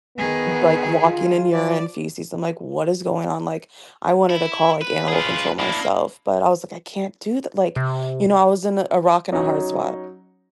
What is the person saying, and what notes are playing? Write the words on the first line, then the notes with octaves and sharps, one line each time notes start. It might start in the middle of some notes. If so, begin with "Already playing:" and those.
like, walking in urine, feces. I'm like, "What is going on?" Like, I wanted to call, like, animal control myself, but I was like, "I can't do th" Like, you know, I was in a a rock and a hard spot.
D#3 B3 G#4
F4
F3 D5
E4
B4
F4 G#4
A#3 D4 E4
C3
F#3 C#4 D#4